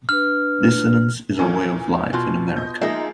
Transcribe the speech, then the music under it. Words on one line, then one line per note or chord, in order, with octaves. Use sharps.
Dissonance is our way of life in America.
D4 B4 F6
A#2 E3 C#4
B2 F4
D#5 G6
F3 G#3 A#3 D#4 E5